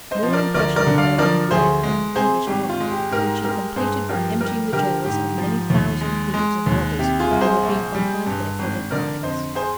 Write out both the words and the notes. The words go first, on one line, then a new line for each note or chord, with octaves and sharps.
More impression was made on Guienne by an English army, which he completed by emptying the jails of many thousand thieves and robbers, who had been confined there for their crimes.
C5 D#5
F3
A#4 D5
D2 A#4 D5
A#4 D5
D3
D5 F5
F3 A#4 D5
D2 G#4 C5
G#3
C3 G#4 C5
G#1 G4
F4
G#3
G4
G#2 G4 A#4
G#3 G4 A#4
G2 G#4 C5
F3 G4 A#4
G3 G4 A#4
D3 G4 A#4
G#2 G4
F3
D#2
G#3
G#3
D#2
C3 G4
F4 G#4
C2
G#4 C5
A#1
G3
G2
G#1
D3 A#4 D5
F2 C5 D#5
G#4 C5